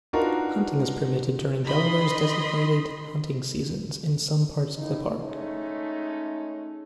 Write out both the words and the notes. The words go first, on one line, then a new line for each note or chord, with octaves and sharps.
Hunting is permitted during Delaware's designated hunting seasons in some parts of the park.
D4 D#4 F4 F#4 A#4 B4
D#3 D#5 B5 C6
D#2 D#4 E4
G#3 A3 C#4 D#4